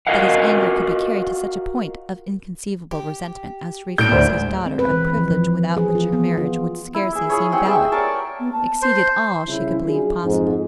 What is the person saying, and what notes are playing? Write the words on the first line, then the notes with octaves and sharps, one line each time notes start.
That his anger could be carried to such a point of inconceivable resentment as to refuse his daughter a privilege without which her marriage would scarcely seem valid, exceeded all she could believe possible.
F4 F#4 A#4 D#5 F5 F#5
G4
A2 G3 A#3 D4 G6 D7
D2 C5
G#3
C4
B4
E3
F3
F3
G#4
F4
B3
F4
E4
G#4 E5
F4 G#4 C#5
C4 G4 F#5 G5
G#4 E5 G5
A#4 C#5 D5 A5
B3
A5
C5
C2 C#3 E4
F#3 D4 F4 G#4
F2 G#2